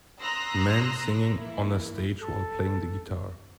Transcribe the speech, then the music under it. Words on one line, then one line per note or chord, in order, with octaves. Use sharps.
Man singing on a stage while playing the guitar.
A#5 C6 D#6 E6 F#6 A#6
E3 A#3 E4
A4